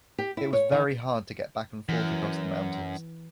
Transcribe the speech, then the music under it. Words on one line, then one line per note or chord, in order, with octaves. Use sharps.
It was very hard to get back and forth across the mountains.
G4
E4
C#5
D#3
F#2 E3